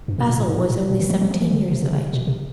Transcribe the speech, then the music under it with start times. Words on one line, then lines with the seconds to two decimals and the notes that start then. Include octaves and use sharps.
Bazil was only seventeen years of age.
0.08 G2
0.18 B2
0.29 A#2
0.38 A2
0.48 G#2
0.70 A2
0.90 A#2
1.00 D#3
1.10 F3
1.21 F#3
1.31 F3
1.42 E3
1.51 D3
1.71 C3
1.82 C3
1.93 C#3
2.13 B2
2.27 C3